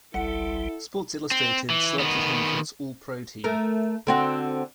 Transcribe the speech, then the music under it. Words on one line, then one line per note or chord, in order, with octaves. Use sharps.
"Sports Illustrated" selected him for its All-Pro Team.
G1 C2 G3 E4 A4 F#5
C4
E3
D#3 B3
A3 A#4
D3 C4 F#4